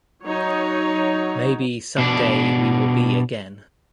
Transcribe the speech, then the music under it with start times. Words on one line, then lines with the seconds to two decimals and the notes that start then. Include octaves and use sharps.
Maybe someday we will be again.
0.24 F#3 D#4 C#5
1.98 B2 D4